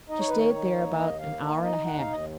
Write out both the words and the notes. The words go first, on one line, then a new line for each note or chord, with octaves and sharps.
She stayed there about an hour and a half.
D#4 D#5
C#5
D#3 B4
C#5
D#4
A#3
D#2 D#5
A#3 F5
D#4
D#4 D#5
D#2 F#5
F5
D#2 D#5